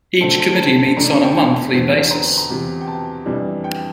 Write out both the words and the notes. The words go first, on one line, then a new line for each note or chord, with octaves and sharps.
Each committee meets on a monthly basis.
D3 A3 C4 A5
A5
A5
A5
F2 D3 A3 D4 A#5
A5
G5
A5
E2 D3 F3 C4
A#5
A#5
E2 C3 F3
G5
A5
F2 E3 G3 D4
G5